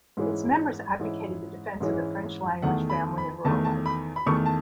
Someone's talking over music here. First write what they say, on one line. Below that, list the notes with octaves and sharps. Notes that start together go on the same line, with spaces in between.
Its members advocated the defense of the French language, family, and rural life.
G#2 E3 G#3 C#4 E4
G#2 E3 G#3 C#4 E4
G#2 E3 G#3 C#4 E4
E2 D#3 A3 F#5
B5
B5
E2 D#3 A3 A5
A5
B5
B5
E2 D#3 A3 C#6
A5